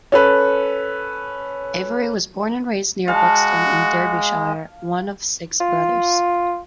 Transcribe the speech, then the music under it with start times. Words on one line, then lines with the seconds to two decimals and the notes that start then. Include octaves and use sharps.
Avery was born and raised near Buxton in Derbyshire, one of six brothers.
0.12 C#4 A4 B4
3.08 G#3 F#4 F5 A5
5.61 F4